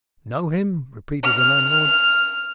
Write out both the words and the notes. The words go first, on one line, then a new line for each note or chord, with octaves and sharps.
"Know him!" repeated the landlord.
F6